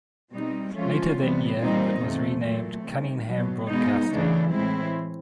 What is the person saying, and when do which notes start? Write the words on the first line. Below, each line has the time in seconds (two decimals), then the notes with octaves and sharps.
Later that year, it was renamed Cunningham Broadcasting.
0.31 B2 G3 C4 D#4
0.73 G#2 F3 A3 C#4 F4
1.15 C3 E3 G3 B3
1.57 A#2 G3 C4 D#4
1.99 E2 C3 F3 A3
2.42 A#2 F#3 A3
2.83 C3 D#3 G3
3.25 E2 B2 F#3
3.67 B2 G#3 B3 D#4
4.10 C#3 E3 A3 D4
4.51 A2 E3 G#3 C4 E4